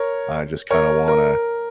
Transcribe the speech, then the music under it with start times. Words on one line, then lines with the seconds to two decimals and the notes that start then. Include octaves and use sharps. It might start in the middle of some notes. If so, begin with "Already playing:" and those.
I just kinda want a
Already playing: A#4 C#5
0.71 A#4 C#5
1.08 A#4